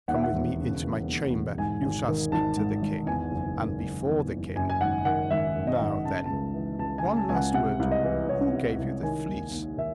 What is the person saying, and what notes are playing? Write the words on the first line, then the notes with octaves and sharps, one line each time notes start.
Come with me into my chamber; you shall speak to the king--and before the king.--Now, then, one last word: who gave you the Fleece?
D#2 F#5
E5
F#5
E1
C#3
E3
D#2
E1
G#2 G#5
G#1
D#3
G#1 A5
G#2
G#1
E2 G#5
F#1
D#3
F#1
E2
F#1
F#2 G#5
G#5
G#1 F#5
D#3 F#5
G#1 E5
F#2
D#5
G#1
C#3 A5
C#2 A5
E3
C#2 A5
G#5
C#3
A5
C#2 G#5
F#5
C3 F#5
C2
D#5
E3
C2 C#5
C3
C2
D#3 G#5
D#2
D#2
D#3 E5